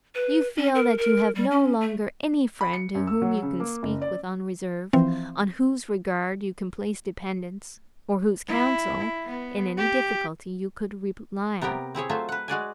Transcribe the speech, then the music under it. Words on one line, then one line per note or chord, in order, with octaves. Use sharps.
You feel that you have no longer any friend to whom you can speak with unreserve, on whose regard you can place dependence, or whose counsel, in any difficulty, you could rely on.
B4
C#4
A#4
A#4
G3
C#4
A3
B5
C#7
F#2
E6
F#3
C#3
A#3
F#1
D5
E3 F3 C4
E4
B3
G4
C3 B3 G4 A#4 G5
C4 E4 G#4 C#5
F#3 A3 F4 C5 E5
B4 F#5
G#3 F#4 D5 G#5